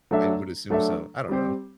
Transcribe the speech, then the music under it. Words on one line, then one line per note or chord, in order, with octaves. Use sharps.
I would assume so, I don't know.
F#3 A3 D4 A4 E5
F#3 A3 D4 A4 E5
G3 C4 G4 C5